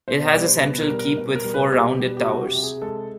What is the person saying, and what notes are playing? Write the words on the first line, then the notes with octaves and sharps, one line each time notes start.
It has a central keep with four rounded towers.
B2 C5
D5
G3
C5
B2 B4
A#4
G3
A#4
B2
A#4
G3
B4
G#4
B2 G4
G3 G4
G4
C3 F#4
G4
C3
G#4
G#3 A4